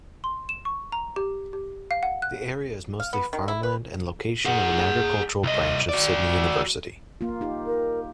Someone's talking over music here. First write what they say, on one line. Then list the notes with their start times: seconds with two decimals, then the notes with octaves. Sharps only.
The area is mostly farmland and location of an agricultural branch of Sydney University.
0.24 C6
0.49 E7
0.65 C#6
0.92 A#5
1.16 G4
1.53 G4
1.91 F5
2.03 F#5
2.22 F#6
3.00 F5
3.13 B3
3.33 D#3
3.48 E4
3.63 B4
4.45 G#4 F#5
5.43 C2 D#5
5.89 F#4 D5
7.21 A#3 F4
7.41 D#4 G4
7.66 A#4